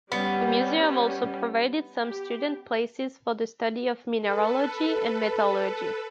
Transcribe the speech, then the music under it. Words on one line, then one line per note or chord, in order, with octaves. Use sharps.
The museum also provided some student places for the study of mineralogy and metallurgy.
G3 B3 C#4
G4
A4 B4